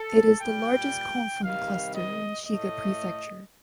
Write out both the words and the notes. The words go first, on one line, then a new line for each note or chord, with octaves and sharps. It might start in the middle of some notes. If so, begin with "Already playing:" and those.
It is the largest "kofun" cluster in Shiga Prefecture.
Already playing: A4
A#2 G3 G5
C3 D#3 G3 F5
D#5
A2 A3 D#5